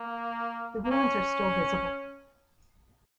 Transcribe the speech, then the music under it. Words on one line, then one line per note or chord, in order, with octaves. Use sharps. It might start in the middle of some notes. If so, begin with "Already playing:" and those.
The ruins are still visible.
Already playing: A#3
A#3
C#4